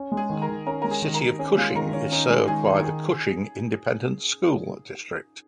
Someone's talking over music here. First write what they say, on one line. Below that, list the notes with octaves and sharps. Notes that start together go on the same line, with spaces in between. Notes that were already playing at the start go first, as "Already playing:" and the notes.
The city of Cushing is served by the Cushing Independent School District.
Already playing: C#4
G#3
G#4
D#3
A#4
D#3
C#4 A#4
G#3 A#4
G#4
D#3
A#4
D#3
C#4 G#4
G#3 F4
D#3 A#4
D#3 C#4
C#4 D#4
G#3
D#3 G#4
D#3
D#4 G#4